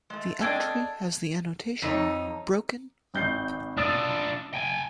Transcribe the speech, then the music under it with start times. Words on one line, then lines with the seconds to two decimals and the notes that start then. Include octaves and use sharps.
The entry has the annotation "Broken Up".
0.10 G#3 A3
0.41 C4 D4 G#4 A4 D#5 G#6 D7
1.82 F2 D#4 C#5
3.14 G#1 G6 C7
3.77 D4 F4 D#6 E6 A6
4.53 G5 G#5